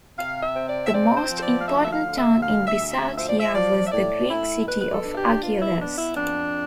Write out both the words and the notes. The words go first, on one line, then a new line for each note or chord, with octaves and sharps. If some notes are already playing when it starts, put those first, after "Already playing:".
The most important town in Bisaltia was the Greek city of Argilus.
C3 F5
E5
C4
D5
E5
C4 D5
C5
F3
C5
D5
F5
D2 E5
E5
F5
D3
E5
D2 F5
E5
D2
E5
F3 E5
D5
E5
F3 D5
E5
A2 D5
A2 E4
B2 B4
B4
A4
D4
G4
B2 F4
E4
B3 D4
E4
F2 D4